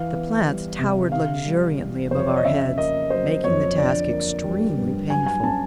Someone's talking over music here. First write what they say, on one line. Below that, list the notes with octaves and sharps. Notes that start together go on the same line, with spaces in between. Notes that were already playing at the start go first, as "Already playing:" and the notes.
The plants towered luxuriantly above our heads, making the task extremely painful.
Already playing: E3 F5
B3
G3
C3
C3 F5
G3
E3
F2 C5
C#5
D5
D#5
C#3 E5
A#3 D#5
F#3 C5
F2 C#5
D3 D5
A#3
G3
G2
F#3 G#5
G#5
C#4 A5